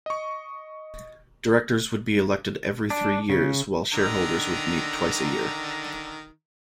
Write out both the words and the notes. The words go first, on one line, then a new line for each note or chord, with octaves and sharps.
Directors would be elected every three years while shareholders would meet twice a year.
D#5 C#6
D4
C#3
D3 D#3 A#5